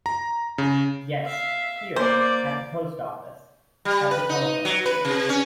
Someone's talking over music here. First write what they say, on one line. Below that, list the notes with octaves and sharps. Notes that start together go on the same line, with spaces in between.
Yes, here; at the post office — at the telephone exchange.
A#5
C#3
E5 F5
A#3 C5 D5
G3
B4
D#4
F#3
B4
C3
C#4